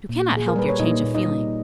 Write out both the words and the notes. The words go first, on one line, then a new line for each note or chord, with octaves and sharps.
You cannot help your change of feeling.
A#2
A#2 G#4
A#4
G3 B4
C#5
A#2 D#4 D#5
A#2
D#4 D#5
G3